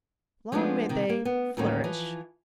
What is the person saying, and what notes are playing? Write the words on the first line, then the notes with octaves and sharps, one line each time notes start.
Long may they, flourish.
F3 G#3 A3 B3 D4
C3 D#3
A#3
B3
D2 A2 D#3 G3 A#3 C#4
E3 F3